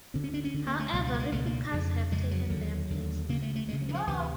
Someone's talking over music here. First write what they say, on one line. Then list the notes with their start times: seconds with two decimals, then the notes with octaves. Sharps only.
However, replicas have taken their places.
0.14 D2 D3 C4
0.24 C#4
0.34 D4
0.44 C#4
0.54 D2 D3
0.66 A#3
0.80 A3
0.92 C#2 B2 G3
1.07 G#3
1.14 G3
1.19 G#3
1.32 C#2 B2 A3
1.46 A#3
1.72 F2 C#3
2.11 F2 C#3 G#3
2.31 F#3
2.50 D#2 D3
2.90 D#2 D3
3.29 D2 C#3 A#3
3.42 A3
3.56 A3
3.68 D2 C#3 G#3
3.81 F#3
3.89 E3
3.95 F3
4.07 D2 C3 E3